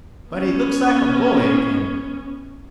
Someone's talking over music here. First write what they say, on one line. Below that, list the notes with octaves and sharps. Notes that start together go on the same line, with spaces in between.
But he looks like a boy again!
B3 C#4